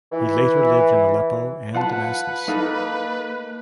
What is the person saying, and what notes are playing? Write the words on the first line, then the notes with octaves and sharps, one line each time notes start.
He later lived in Aleppo and Damascus.
E3
F4 B4 F5 F#5 A5
A#3 D#4 A4 F5